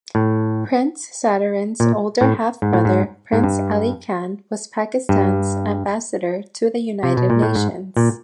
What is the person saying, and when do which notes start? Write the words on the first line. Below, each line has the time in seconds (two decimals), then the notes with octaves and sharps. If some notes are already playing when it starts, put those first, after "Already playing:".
Prince Sadruddin's older half-brother, Prince Aly Khan, was Pakistan's Ambassador to the United Nations.
0.15 A2
1.80 A#2
2.21 A2
2.62 G#2
2.73 A2
2.85 G#2
3.33 G#2
3.44 G2
5.09 G2
7.03 C3
7.17 B2
7.30 A#2
7.42 A2
7.55 G#2
7.97 A#2